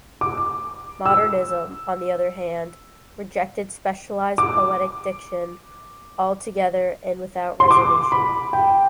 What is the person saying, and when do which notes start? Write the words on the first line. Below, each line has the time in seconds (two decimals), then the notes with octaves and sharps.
Modernism, on the other hand, rejected specialized poetic diction altogether and without reservation.
0.21 D6
1.06 E6
4.38 D6
7.60 C6
7.71 D6
8.12 B5
8.53 G5